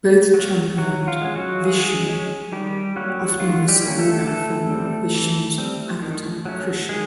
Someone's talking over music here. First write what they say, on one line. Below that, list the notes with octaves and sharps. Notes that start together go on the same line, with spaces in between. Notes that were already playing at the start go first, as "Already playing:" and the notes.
Both championed Vishnu, often in the "saguna" form of Vishnu's avatar Krishna.
F#3 A#3
E3 F#3 F#4
F4
G#3 C#4
F#3 F#4
E3 G#3 G#4
G#3 C#4
D#3 G3 G4
F#3 G3 A#3 C#4 F#4
D#3 F4
G3 G4
G3 A#3 C#4
A3 A4
E3 A3 A4
G3 C4
E3
G3 C4
D#3
F#3 A3 C#4
D#3 G#3 G#4